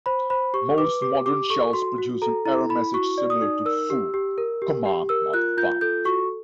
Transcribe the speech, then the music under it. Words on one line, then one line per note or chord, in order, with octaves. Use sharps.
Most modern shells produce an error message similar to "foo: command not found".
C5 B5
C5 B5
G4 C#6
B4 D6
G4 D6
G4 D6
A4 C#6
F#4 C6
F#4
A4 A#5
E4 A#5
E4 B5
F#4 C#6
D5
D#6
D#4
A#4 E6
G4
G4
A#4
G4
G4
A#4 E6
F4 F#6
F4 G6
A4 G6
F#4 C#6